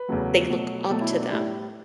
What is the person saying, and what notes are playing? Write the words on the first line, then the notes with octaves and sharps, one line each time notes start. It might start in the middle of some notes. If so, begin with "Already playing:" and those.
they look up to them
Already playing: B4
E2 C#3 F#3 A3
B2 F#3 A3
B2 F#3 A3 A4
E4
D4
D4
A2 G3 E4